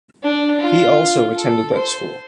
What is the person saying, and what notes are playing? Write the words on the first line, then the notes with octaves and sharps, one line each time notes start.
He also attended that school.
D4
F4
A4
C5